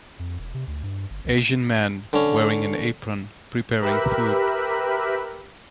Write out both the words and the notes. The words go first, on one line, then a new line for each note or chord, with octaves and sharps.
Asian man, wearing an apron, preparing food.
F2
E1
C3
D2
G2
G1
C2
D3 C#4
G4 A#4 B4 E5 B5